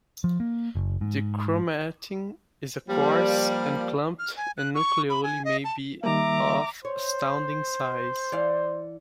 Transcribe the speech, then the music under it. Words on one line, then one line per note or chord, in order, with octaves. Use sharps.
The chromatin is coarse and clumped, and nucleoli may be of astounding size.
F3
A#3
F#1
G#2
F3 G3 A#3
F6
G#5
F#6
C#6
B5
G#5
D#5
A5
D#3 G3 A#3 E5 A#5 D6
C5 C#5
E3 D5 F5